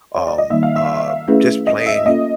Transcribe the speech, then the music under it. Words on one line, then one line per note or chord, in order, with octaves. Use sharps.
um, uh, just playing
C#5
D5
D#5
D#3 G3 A#3 D#4 E5
F5
E5
A3 C#4 E4 G#4 B4
D#5
E5
A#3 C#4 F4 A4 D#5